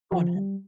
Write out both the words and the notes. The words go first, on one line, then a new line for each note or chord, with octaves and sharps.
Go on ahead.
F3
G3